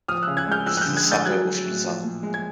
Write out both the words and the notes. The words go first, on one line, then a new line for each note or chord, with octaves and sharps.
It is a suburb of Lausanne.
F3 D#6 F6
E6 F#6
C#3
F#6 G#6
G#3 F6 G6
F3 E6 F#6
F#6
F6 G6
D3
F#6 G#6
G#3 G6 A6
F#3 F#6 G#6
F#3
A2
F3
A#2
G#3
G#6